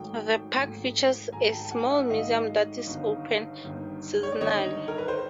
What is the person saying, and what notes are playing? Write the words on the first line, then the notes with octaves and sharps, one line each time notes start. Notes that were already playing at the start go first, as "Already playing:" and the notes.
The park features a small museum that is open seasonally.
Already playing: G#1 G#2 D#3 F#3 A3 G5
G#1 G#2 D#3 F#3 A3
G#1 G#2 D#3 F#3 A3 G#5 A#5
G5 A5
A5
F#5 G#5
E5 F#5
G#1 G#2 D#3 F#3 A3 D#5 F5
G1 G2 D#3
G1 G2 D#3
C#5
D5
G1 G2 D#3 C#5 D#5
A#4
B4
C5